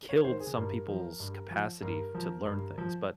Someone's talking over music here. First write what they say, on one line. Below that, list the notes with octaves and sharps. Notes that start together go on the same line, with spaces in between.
killed some people's capacity f to learn things, but
C#5
D#3 C5
G#4
G2 A#4
F3
G2
F3
G2 A#4
F3
G2
F3